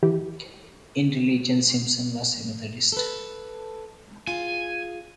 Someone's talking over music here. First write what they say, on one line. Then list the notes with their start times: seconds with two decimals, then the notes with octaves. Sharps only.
In religion, Simpson was a Methodist.
0.03 E3 G4
2.92 A4 B4
4.27 F4 G#4 G#5